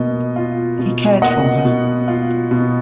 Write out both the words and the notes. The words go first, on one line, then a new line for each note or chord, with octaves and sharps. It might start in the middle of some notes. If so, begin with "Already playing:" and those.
He cared for her.
Already playing: B2 A#3 D#5
F4
B2
A#3 D#5 F#5
B2
F4
B2